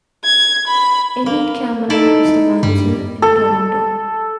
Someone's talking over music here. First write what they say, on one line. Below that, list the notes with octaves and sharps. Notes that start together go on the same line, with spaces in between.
Ellie Cameron is the manager in Toronto.
G#6
B5
A#3
D#4 E4 A4 D5
G2 G3
A4